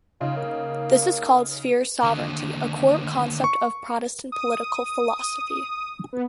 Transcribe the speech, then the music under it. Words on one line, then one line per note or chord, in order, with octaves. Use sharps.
This is called sphere sovereignty, a core concept of Protestant political philosophy.
C#3 D#4 F4
A#3
D#2 D3
C#6
D#6
B3